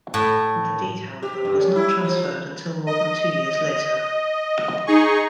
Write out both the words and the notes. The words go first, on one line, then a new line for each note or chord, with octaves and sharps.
The deed, however, was not transferred until more than two years later.
A2
G4
G2
C#4
E4
F3
D#5
D#4 G#4 C#6